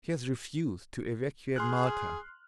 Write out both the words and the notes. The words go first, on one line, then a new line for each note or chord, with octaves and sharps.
She has refused to evacuate Malta.
G#4 C6 F6 F#6